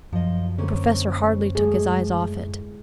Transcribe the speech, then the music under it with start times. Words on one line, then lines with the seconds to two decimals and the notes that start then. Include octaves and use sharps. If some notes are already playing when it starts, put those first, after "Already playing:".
The Professor hardly took his eyes off it.
0.13 F#2 F3 D#5
0.58 D3 A#3 C4 C#4
1.55 A2 G#3 G#4